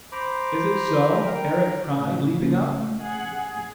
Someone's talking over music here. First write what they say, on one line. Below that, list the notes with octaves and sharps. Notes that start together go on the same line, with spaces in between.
"Is it so?" Eric cried, leaping up.
C5 A#5 B5 D6
A#4 G5 A#5
A2 C#3
C#3 A#3
G#3 A3
G#4 F#5
G#4